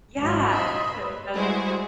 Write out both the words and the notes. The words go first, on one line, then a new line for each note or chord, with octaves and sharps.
Yeah, so it has e
G#1 F#3
D#5 E5 B5 C6
B4
G3 G#3 E4 F#4 G#4 C5